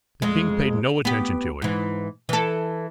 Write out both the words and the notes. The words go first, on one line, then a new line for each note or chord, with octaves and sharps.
The king paid no attention to it.
F2 G#3
B3 G4
G#2 E3
E3 A4